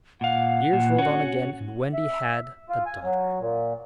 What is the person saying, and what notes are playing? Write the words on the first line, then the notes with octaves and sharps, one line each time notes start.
Years rolled on again, and Wendy had a daughter.
A#2 F5 F#5
A#2
C#4 F#4
E5
F4
G#5
F#3
A#2